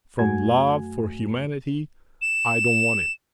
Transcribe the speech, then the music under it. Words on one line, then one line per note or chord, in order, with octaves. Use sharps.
From love for humanity I don't want it.
F#2 A3 F#4 G#5 G#6
E7